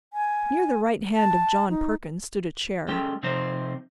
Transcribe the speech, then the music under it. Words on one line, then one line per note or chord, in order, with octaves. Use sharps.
Near the right hand of John Perkins stood a chair.
G#5
A5
D#4
G#3 C#4 G4 A4 G5
C3 F3 C4 D#4 C5